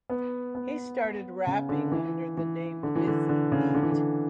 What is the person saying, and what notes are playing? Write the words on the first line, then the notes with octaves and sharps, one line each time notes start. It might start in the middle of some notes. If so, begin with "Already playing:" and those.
He started rapping under the name Busy Beat.
B3
B3
C#3
D3
E3
E3
D3
E3
D3
D3
C#3
D3
E3
D3